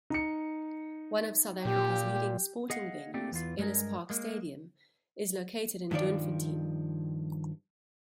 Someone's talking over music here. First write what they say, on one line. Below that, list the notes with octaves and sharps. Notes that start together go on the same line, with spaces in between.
One of South Africa's leading sporting venues, Ellis Park Stadium, is located in Doornfontein.
D#4 C#7
A#2 G4
G#4 D#5 F5 F#5
A3 A#3 C4 G4 D5
E2 E3 F4
G2 G#3 C#4 G#4 A#4
G#3 A#3
G2 D#3 F3 D5